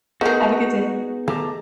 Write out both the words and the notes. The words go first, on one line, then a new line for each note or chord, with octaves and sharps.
Have a good day.
A3 B3 D#4 F#4 G#4 A#4
E3 A3 G4 A5 A#5